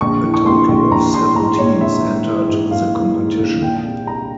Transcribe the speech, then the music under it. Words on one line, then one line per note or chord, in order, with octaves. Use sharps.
A total of seven teams entered the competition.
A#1 C#6
E3
C#6
A#1 C6
A#1
A#1 A#5
E3 C6
G#2 A#5
G#2 C#5
A#1 E5
G#2
E3
G#2
G#2 F5
E3
G#2
A#1
A#2 G5
C2
C2 A#5